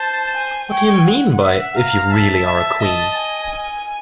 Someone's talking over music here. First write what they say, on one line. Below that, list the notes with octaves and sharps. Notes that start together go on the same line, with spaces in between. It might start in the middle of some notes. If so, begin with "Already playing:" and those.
What do you mean by “If you really are a Queen”?
Already playing: C5 A5
G#5
C#5 G5
F#5
E5
F5 A#5
E5 A5
E5
D#5 A5
G#5